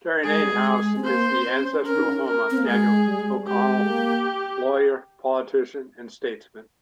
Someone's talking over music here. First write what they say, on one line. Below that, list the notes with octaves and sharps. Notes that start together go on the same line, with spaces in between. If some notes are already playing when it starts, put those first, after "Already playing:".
Derrynane House is the ancestral home of Daniel O'Connell, lawyer, politician and statesman.
G#3 G#4
G3
G#3
G#3
C4
A#3 C5
A#3
C4
C#4
C#4 A#4
D#4
C#4
A#4
C4
A#3
G#3 G#4
G3
G#3
G3
G#3 G4
A#3